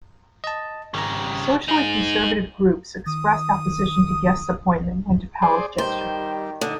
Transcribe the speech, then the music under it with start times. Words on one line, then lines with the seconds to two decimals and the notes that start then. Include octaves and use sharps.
Socially conservative groups expressed opposition to Guest's appointment and to Powell's gesture.
0.44 D#5 A5
0.94 G#1 C#3 G3 A#5
1.68 D#4 G#4
3.06 D#3 D#6
5.42 G#4 C5 D5
5.78 D#3 G3 C5
6.61 D3 D#4